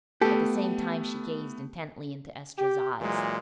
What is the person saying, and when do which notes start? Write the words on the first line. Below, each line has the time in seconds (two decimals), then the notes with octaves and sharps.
At the same time she gazed intently into Estra's eyes.
0.21 A3 B3 G4 A4
2.59 G4
3.01 A#2 E3 F#3 G#3